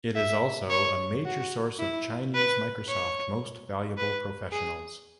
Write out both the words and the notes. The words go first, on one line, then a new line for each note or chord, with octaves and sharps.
It is also a major source of Chinese Microsoft Most Valuable Professionals.
E5
C#5
F#4
E4
B4
C#5
B4
G#4